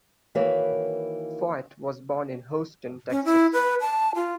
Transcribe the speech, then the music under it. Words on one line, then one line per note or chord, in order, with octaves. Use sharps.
Foyt was born in Houston, Texas.
D#3 E3 A#3 F#4 B4 C#5
C#4
E4
B4
A5
F4